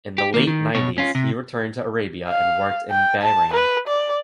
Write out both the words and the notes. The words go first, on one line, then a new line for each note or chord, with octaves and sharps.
In the late nineties he returned to Arabia and worked in Bahrain.
G4
D#3 A#3
D#3
B2 C#5
C#4 F4
C3
F5
G5
A5
B4
D5